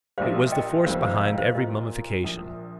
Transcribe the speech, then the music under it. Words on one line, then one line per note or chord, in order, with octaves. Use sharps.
It was the force behind every mummification.
A#1 A#2 G3 C5 F5
D#5 G5
F1 F2 D#3 G3 C4 C5 F5
C5 F5
C5 F5
C5 F5
A#2 A#3 F4 A#4 D#5
A#1 A#2 F3